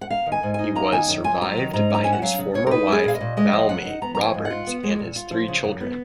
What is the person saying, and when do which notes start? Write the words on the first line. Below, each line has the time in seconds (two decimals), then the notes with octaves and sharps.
He was survived by his former wife Valmai Roberts and his three children.
0.01 F#5
0.10 A#3 F5
0.26 D#3
0.32 G#5
0.43 G#2
0.54 D#4 G#5
0.75 A#3 A#5
0.92 D#3 G#5
1.08 F#2
1.24 F4 G#5
1.41 F#3 A#5
1.57 D#3
1.73 G#2 A#5
1.90 C#4 A#5
2.04 C#4 G#5
2.13 F#5
2.22 F#3 F5
2.39 C#3
2.54 C#3 C#5
2.67 A#4
2.71 D#4 B4
2.88 G#3 G#4
3.04 A#2 F5
3.15 D#5
3.21 A#2
3.37 G#3 D#5
3.53 F3
3.69 F#2 F#5
3.85 D#4
4.02 B3 A#5
4.15 F3 A#5
4.23 G#5
4.34 G#2
4.45 F#5
4.50 F4
4.67 B3
4.83 G#3
4.99 A#2
5.16 F4
5.32 F3
5.48 C#3
5.64 F#2
5.81 B3